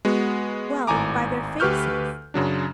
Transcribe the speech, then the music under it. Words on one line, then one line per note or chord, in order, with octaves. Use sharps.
'Well, by their faces....'
G#3 B3 F#4
G#1 A2 G#5 A#5 D6
D2 G4 B4 C#6 F6 G6
F#2 C#3 F#3 D4